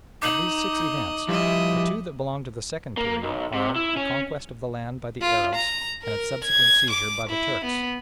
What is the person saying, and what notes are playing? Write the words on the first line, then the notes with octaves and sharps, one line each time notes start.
Of these six events the two that belong to the second period are, the conquest of the land by the Arabs and its subsequent seizure by the Turks.
D#4 D#5 D6 F#7
F3 G3 E4 D#5 E5
A#3
B1
C3
E4
C#4
F4
A#5
A#4
G#6
D6
E4
B3